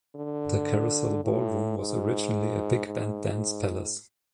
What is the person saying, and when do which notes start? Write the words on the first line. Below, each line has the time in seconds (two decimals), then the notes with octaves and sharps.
The Carousel Ballroom was originally a big band dance palace.
0.16 D3
1.24 A2
1.78 G#2
2.86 G#2